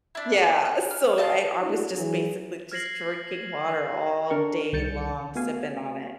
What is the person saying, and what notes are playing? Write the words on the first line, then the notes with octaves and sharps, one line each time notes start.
Yeah, so I I was just, basically, just drinking water all day long, sipping on it,
D4 E4
D6
F#5
F6
D#5 F5 A5
D4 E4 F#4
E3 F#3 G#4
F6 G#6 A#6 C7 F#7
D3 D4 A#4 C#6
C2 D#3 G6 A6 C#7
A3 B3 F#4 G#4 F5 G#5